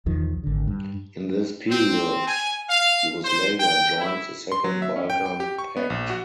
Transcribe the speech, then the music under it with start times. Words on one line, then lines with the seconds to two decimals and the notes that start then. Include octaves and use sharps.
In this period Yugoslavia joined the Second Balkan Pact.
0.06 B1 E2 D#3 F3
0.43 G#1 D3
0.67 G2
1.69 C4
2.28 G#5
2.69 F5
3.24 C5
3.60 G5
3.98 E4
4.52 C6
4.64 F#3
4.82 E5
4.96 C#4
5.10 G5
5.26 G5
5.40 G4
5.59 C#6
5.77 B3
5.90 A#1
6.10 F#4